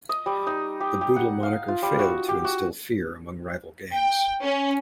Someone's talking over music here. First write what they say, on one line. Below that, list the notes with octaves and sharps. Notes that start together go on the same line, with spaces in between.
The Boodle moniker failed to instill fear among rival gangs.
D#5
G3
D#4
G4
G4
F#5
F5
F4
G3
F#4
G4
F#4
G5
C#4